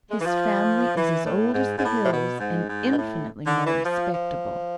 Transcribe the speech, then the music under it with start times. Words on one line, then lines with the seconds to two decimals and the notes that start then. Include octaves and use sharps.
His family is as old as the hills, and infinitely more respectable.
0.10 G#3
0.20 E3
0.25 F3
0.97 E3
1.25 A2
1.54 G#2
1.77 G#2
1.84 A2
2.04 C3
2.12 B2
2.40 G#2
2.69 G#2
2.92 B2
2.98 A2
3.46 D3
3.65 E3
3.84 F3
4.12 F3